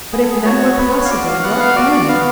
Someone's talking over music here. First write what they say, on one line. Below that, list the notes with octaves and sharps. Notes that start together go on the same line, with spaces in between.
"But if none were possible--what then?"
B3 G#4
A4
G#4
F#4 C#5
B3 B4
C#5
F5
F#4 D5
F5
B3 F#5
F5
F#4 D5
D5
B3 F5